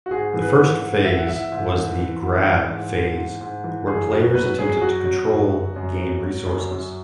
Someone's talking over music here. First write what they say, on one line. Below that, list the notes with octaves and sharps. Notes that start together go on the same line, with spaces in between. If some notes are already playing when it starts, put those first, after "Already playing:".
The first phase was the "grab" phase where players attempted to control game resources.
F#4
G#2 G#4
E3
B4
G#2
G#2
E3 E5
F#5
E3 E5
G#2
E3
E3
G#2
E3
G#2
E3
G#2
G#2
E3
F#2 G#4
F#2 F#4
F#3 B4
F#2 G#4
G#4
F#3 F#4
F#3
F#2
F#2
F#2
F#3
F#3
F#2
F#2